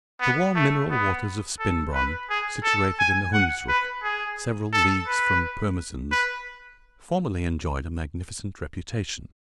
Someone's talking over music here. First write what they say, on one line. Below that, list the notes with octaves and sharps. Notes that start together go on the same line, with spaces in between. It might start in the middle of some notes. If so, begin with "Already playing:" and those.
The warm mineral waters of Spinbronn, situated in the Hundsrueck, several leagues from Pirmesens, formerly enjoyed a magnificent reputation.
B3
A3
B3
A4
B4
G#4
A4
G#5
F#5
B4
G#4
A4
B4
B4